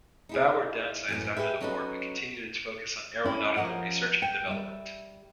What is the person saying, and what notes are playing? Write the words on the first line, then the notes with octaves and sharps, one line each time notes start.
BuAer downsized after the war, but continued its focus on aeronautical research and development.
D#4 E4 G#4
F#2 A2 E3
G4 G#4 B4 E5
F#3 C#4 D#4 F#4 A4 B4
C#4 E4 G4
F3 C#4 A#4 D#5 F#5
G5
G3 E5